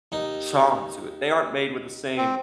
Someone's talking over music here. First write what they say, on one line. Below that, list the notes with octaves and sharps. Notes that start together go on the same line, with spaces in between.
charm to it. They aren't made with the same
D#2 D#4
C4